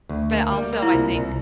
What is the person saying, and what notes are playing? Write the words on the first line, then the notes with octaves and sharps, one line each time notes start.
but, also, I think
D2
A#3
G3
A#3
E4
C2 F4
C2